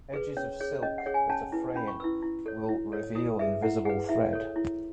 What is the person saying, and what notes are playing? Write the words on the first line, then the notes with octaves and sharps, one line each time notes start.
Edges of silk that are fraying will reveal "invisible thread".
G#4 B4
C#4 C#5
G#4 C#5
C#4 D#5
F#5
G#4 C#5
G#5
C#4 A5
E4 B4
C#4 B5
C#6
E4 B4 E6
E4
A4 C#5
E4
A4 C#5
E4 D#6
G#4 B4 E5
E4 F#5
G#4 B4 F#5
E4 E5
A4 C#5
E4